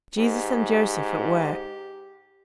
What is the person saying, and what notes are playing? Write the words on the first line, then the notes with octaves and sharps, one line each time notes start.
Jesus and Joseph at work!
G#2 G4